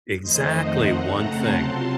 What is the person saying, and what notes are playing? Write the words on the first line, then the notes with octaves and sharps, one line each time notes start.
Exactly! One thing.
F2 D#3 A3 D#4 C5 D#5
D#5 F#5
C#3 A3 C4 F#5 A#5
A5 C6
C3 F#3 C4 F4 A5 C6